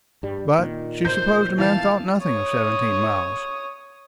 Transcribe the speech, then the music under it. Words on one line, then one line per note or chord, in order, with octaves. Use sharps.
But she supposed a man thought nothing of seventeen miles.
G2 G3
A#2 D#3
C5 G6
E3 F5 A5
C#5 D#6